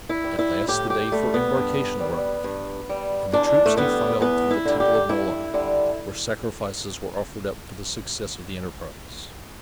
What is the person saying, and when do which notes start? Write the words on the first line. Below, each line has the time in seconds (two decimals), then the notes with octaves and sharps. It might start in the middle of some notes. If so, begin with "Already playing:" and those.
At last the day for embarkation arrived, and the troops defiled through the temple of Moloch, where sacrifices were offered up for the success of the enterprise.
0.09 E4
0.24 G3
0.39 E4
0.68 A2 G4
0.90 G4
1.12 G3 A3
1.34 B3
1.57 G2
2.00 G3
2.44 G2
2.89 G3
3.32 E2 D4
3.66 A3
3.77 D3 G3 B3
4.21 E2 B3
4.51 E4
4.65 D3 G3
4.80 G4
5.09 G2 E4
5.54 D3 G3